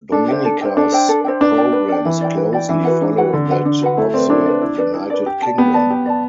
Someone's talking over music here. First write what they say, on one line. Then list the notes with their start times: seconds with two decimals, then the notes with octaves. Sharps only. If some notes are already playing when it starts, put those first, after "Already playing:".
Dominica's programs closely follow that of the United Kingdom.
0.12 D4 A4
0.28 C5 E5 G5
0.45 A4
0.61 C5 E5 G5
0.77 D4 A4
0.92 C5 E5 G5
1.09 A4
1.24 C5 E5 G5
1.41 D4 B4
1.57 D5 G5
1.72 B4
1.88 D5 G5
2.05 E3 B4
2.21 D5 G5
2.37 B4
2.53 D5 G5
2.69 E3 D4
2.85 F#4 B4 F#5
3.01 D4
3.17 F#4 B4 F#5
3.33 D3 D4
3.49 F#4 B4 F#5
3.65 D4
3.81 F#4 B4 F#5
3.97 A3 E4
4.14 C4 B4 D5
4.30 D4 E4
4.46 B4 D5
4.61 E4
4.78 B4 D5
4.94 E4
5.10 B4 D5
5.26 G4
5.42 D5 A5
5.58 B3 G4
5.74 D5 A5
5.90 G4
6.06 D5 A5